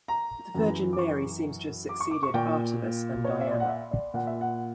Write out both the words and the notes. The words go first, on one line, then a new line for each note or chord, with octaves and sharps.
The Virgin Mary seems to have succeeded Artemis and Diana.
A#5
F#2 E3
D6
C#6
D6
C#6
D6
C#6
A#2 G5
C#5
E5
D5
F#5
E5
D5
A#2 F#5
E5
F#5